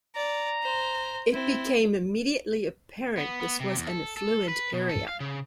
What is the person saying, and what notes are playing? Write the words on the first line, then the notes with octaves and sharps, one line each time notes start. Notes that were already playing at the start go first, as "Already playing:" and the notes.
It became immediately apparent this was an affluent area.
D5 A#5
C5
C4 E4
B3
B3
C3
E2
A4
A4
B4
B2
A4
F5
C#3